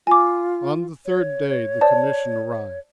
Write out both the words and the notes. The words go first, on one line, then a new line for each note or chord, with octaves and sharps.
On the third day the commission arrived.
F4 G#5 D6
C#5
C5 D5 A5